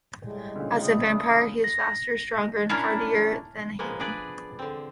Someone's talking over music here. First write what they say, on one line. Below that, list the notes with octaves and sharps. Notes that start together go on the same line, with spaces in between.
As a vampire, he is faster, stronger, and hardier than a human.
A2 G3 G#3
D2 A#2 C#3
D4 E4 D#6
A#6
C#4 D4 E4 A#4
F3 G#3 A#3 B3
D4 G#4 B4 D5
D3 C4